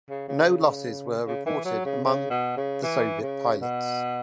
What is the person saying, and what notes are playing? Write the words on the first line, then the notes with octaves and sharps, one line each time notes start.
No losses were reported among the Soviet pilots.
C#3
C#3
C#3
C#3
E3
F#3
C#3
C#3
B2
C#3
E3
C#3
B2